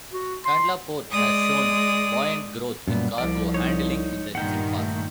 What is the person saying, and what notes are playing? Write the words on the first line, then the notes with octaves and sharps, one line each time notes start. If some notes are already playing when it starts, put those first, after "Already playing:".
Kandla Port has shown buoyant growth in cargo handling in the recent past.
F#4
C6
G#3 D5 D#6
F#2 A#2 G3 B3
C2 F3 D5
D#4 C#5
G2 A#2 D#3 F#5 G5
A3